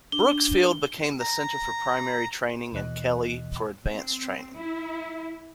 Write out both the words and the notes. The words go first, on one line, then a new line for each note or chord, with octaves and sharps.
Brooks Field became the center for primary training and Kelly for advanced training.
D4 G7
A#5
D#2 B2 E3 D#5 F#6
C4
E4